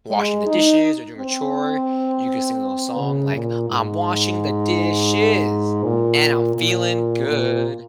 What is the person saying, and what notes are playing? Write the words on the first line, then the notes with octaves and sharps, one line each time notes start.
washing the dishes or doing a chore, you could sing a little song like, "I'm washing the dishes, and I'm feeling good."
G#3
D#4
C4
C#3
A#2
G#2
A#2
A#2
A#2